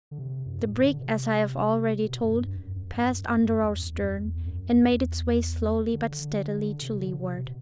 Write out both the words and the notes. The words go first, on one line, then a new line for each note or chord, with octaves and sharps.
The brig, as I have already told, passed under our stern, and made its way slowly but steadily to leeward.
D3
C3
F#2
A2
D3
C3
B2
F#2
G2
F#2
F#2
G2
G2
F#2
F#2
F#2
F#2
E2
E2
E2
F#2
F#2
E2
F#2
E2
E2
D3
D3
C3
D3
C3
B2